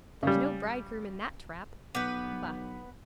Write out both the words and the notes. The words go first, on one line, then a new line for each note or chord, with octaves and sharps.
"There's no bridegroom in that trap."
C#3 G3
B1 B3 B4 D6 G6 B6